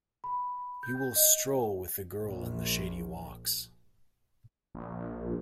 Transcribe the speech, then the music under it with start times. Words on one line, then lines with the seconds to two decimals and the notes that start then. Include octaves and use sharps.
You will stroll with the girl in the shady walks.
0.24 B5
0.83 G6
1.16 D#5
2.22 A#1
4.75 A#1